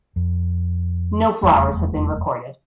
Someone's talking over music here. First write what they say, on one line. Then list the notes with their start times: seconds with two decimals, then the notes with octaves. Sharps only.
No flowers have been recorded.
0.16 F2
1.43 F1 E2 G3 A3